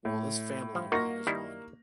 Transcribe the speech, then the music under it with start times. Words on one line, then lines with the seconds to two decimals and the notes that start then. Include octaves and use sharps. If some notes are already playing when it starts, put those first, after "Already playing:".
Will this family unite as one?
0.05 A2
0.75 F3
0.92 A#3 D#4 F4 F#4 C#6 A#6
1.27 D#3 G3 E4